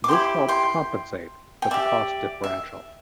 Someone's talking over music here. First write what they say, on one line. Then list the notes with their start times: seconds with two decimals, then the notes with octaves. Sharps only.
This helped compensate for the cost differential.
0.04 D6
0.08 E4 G4 C5 G5 C6
0.48 G5 C6
1.62 G5
1.71 G4 D5 E5
2.44 E5